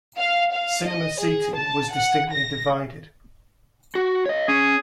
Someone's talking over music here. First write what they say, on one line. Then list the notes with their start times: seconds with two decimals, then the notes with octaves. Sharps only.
Cinema seating was distinctly divided.
0.17 F5
0.52 F5
0.87 D#5
1.20 G#4
1.55 A5
1.93 F#5
2.32 A#6
3.95 F#4
4.26 C#5 D#5
4.48 C#4 G#4